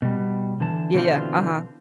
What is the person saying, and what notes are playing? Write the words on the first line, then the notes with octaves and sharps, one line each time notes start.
Yeah, yeah. Uh-huh.
B2 G3
D3 E3 A5
B2 D3 E3 A#3 C4 F4